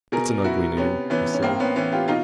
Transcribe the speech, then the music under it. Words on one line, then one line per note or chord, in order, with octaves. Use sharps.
"It's an ugly name," he said.
B2 G#4 A#4
E4 F#4
C3 B3 C#4
E3 B3 C#4
C#4
A2 A#3 C4
B3 C#4
E3 B3 C#4
F4 G4
B2 D#4 F4